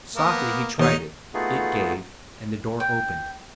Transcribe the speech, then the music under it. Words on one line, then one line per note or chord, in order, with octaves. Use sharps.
Softly he tried it; it gave, and the door opened.
A#3 B3
D#2 D#4 C#5 D#5
A3 B3 D#4 F4 F#4 G#4
G5